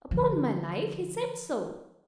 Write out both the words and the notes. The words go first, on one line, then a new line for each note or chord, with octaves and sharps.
'Upon my life, he said so!
D3 F3